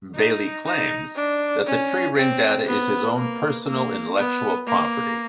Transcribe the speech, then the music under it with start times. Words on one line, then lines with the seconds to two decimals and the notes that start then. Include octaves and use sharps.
Baillie claims that the tree-ring data is his own personal intellectual property.
0.15 D#4
0.66 D#4
1.16 D4
1.66 C#4
2.16 C4
2.67 B3
3.17 A#3
3.67 A#3
4.17 B3
4.67 A#3